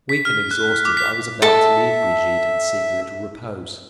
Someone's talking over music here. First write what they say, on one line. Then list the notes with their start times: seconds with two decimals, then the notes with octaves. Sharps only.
Weak and exhausted I was about to leave Brigitte, and seek a little repose.
0.09 B6
0.25 F6
0.51 F#6
0.85 D6
0.97 B6
1.42 A4 E5 A5